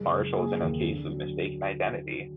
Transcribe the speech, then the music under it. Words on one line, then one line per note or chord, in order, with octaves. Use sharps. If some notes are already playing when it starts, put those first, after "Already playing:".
Marshals in a case of mistaken identity.
Already playing: F#1 G#3
F#1
A#3 G#4
D#2
D3
F#3